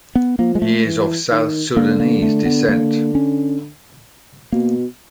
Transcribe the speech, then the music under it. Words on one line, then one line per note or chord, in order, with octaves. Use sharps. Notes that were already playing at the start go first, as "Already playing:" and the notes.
He is of South Sudanese descent.
B3
F3 A#3
G#3
A3
E3
D#3
D3 A#3
A#3
A3
B3
A#3
C#4
B2 A#3